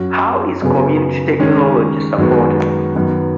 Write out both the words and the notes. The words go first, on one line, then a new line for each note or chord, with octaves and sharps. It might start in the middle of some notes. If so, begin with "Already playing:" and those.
How is Community Technology supported?
Already playing: F#2 F#3 C#4 F#4
F#2 C#3 B3 G#4
D#3 G#3 C#4
F#2 D#3 G#3 B3 F#4
F#2 D#3 B3